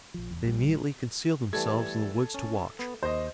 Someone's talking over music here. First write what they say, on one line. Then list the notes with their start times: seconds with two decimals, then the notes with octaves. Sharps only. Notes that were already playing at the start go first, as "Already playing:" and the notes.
They immediately concealed themselves in the woods to watch.
0.14 A#1 F3
0.31 E1 A#1 E2
0.44 A#1 G3
1.53 E3 G3 A3 A4 G#6
2.34 C#4
2.79 B3
3.03 D#2 C5 D#5